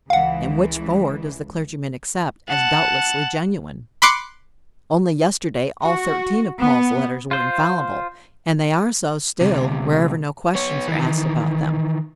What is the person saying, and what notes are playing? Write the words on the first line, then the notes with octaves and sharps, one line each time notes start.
And which 'four' does the clergyman accept as doubtlessly "genuine?" Only yesterday all thirteen of Paul's letters were infallible, and they are so still wherever no questions are asked about them.
C#2 E3 F5 F#5
F#5 A5
B5 C6 D6 F#6 C7 C#7
F#4
B3
F4 C5
D2 C3
B3 C#5
D#3 E3